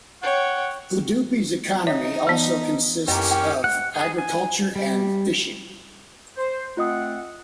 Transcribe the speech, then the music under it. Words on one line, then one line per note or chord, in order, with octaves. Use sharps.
Udupi's economy also consists of agriculture and fishing.
C#5 F#5 G5
D#4 C#5 E5
E3 B3
F#2 A#3 C#4 G4 D#5 A#5
G5
F#5
G#4
G#5
G3
C5
A3 C4 F4 D#5 F#5 D#6